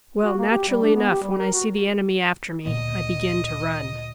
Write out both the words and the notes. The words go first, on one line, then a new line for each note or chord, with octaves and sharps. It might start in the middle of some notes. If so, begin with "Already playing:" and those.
"Well, naturally enough when I see the enemy after me I begin to run."
F#4
A#3
G4
G3
D4
B3
G4
G3
A#4
F#4
D2 A#2 D#5